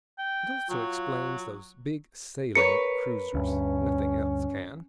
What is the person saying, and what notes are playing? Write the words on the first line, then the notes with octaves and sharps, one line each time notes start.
It also explains those big sailing cruisers; nothing else can.
G5
F#3 F4
A#4 B4 C#5 C#7
D2 G2 C#4